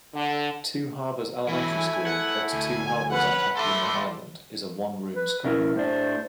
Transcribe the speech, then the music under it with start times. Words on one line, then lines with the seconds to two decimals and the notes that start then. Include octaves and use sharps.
Two Harbors Elementary School, at Two Harbors on Catalina Island, is a one-room school.
0.14 D3
1.49 E3 F#3 A3 E4 G#5
2.07 F#5
2.53 D2 G#5
3.11 C#4 B4 F#5
3.57 A3 A4 B4 C6 D6
5.15 B4
5.44 B2 C#4 E4 A#4
5.75 A2 D4 C5